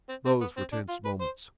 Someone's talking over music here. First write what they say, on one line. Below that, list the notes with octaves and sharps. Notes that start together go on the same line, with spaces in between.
Those were tense moments.
C4
C4
B3
C4
D4
F4
B4
C5